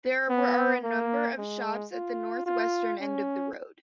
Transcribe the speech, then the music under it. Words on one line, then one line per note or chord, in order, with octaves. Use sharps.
There are a number of shops at the northwestern end of the road.
B3
A#3
G#3
F4
F4
C#4